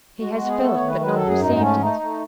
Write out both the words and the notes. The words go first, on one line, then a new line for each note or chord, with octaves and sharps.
He has felt but not perceived it.
G#3 F#4
F#4
B3
G#4
A3 A4
C#5
D#3
B4
F#3 B4
A4
F#2
G#4
G#2 D#4
A3 C#4
A3 D#4
A3